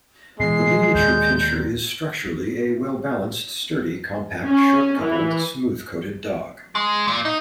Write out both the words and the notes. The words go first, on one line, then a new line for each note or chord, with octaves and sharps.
The Miniature Pinscher is structurally a well balanced, sturdy, compact, short-coupled, smooth-coated dog.
B2 E3 G#3 C7
D#2 A#2 G6
C#4
E3
G#3
A#2
D#4